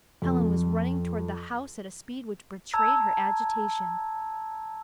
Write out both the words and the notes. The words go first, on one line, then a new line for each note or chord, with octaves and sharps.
Helen was running toward the house at a speed which betrayed her agitation.
F2
A5 A#5 E6 G#6